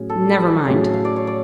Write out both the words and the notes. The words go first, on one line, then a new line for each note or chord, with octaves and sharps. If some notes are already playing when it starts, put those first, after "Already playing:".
Never mind.
Already playing: A2 F#3 C#4 G#4
A4
A2 F#3 C#4 G#4 F5
F5
D5
C#5
D5